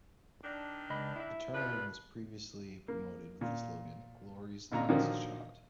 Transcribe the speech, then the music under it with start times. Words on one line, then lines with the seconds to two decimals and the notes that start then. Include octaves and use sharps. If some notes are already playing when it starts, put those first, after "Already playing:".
The tournament was previously promoted with the slogan "Glory's Last Shot".
0.44 D#3 D4
0.90 C#2 D#5 B5
1.16 E4 E5
1.53 F3 G3 B4
2.88 A#3
3.41 A#2
4.72 G#1 A#2 A#5
4.89 A#2 D3 D#3 F3 F#3 A#3